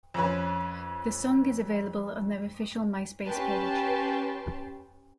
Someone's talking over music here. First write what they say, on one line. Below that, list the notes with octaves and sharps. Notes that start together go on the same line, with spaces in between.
The song is available on their official MySpace page.
F2 C#4 B4
C#4 G4 B4 G5 A5 C6